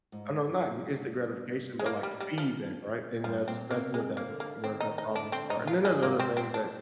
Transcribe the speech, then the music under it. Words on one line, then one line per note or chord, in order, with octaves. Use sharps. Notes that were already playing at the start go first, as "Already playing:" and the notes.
I know not gr instant gratification, but like feedback, right? And that's that's what that where that problem start, and then there's other things that
G#2
G2
G#3
A#3
G3
G3
F3
G2 F3
A#2 C4
C3 A#3
C3 G#3
A#3
D3
A#3
D#3 C4
D#4
D#3
D#4
D3
D4
D3 C4
D#4
A#2
F4
G2
G#3
G#2 A#3
C4
C4
D4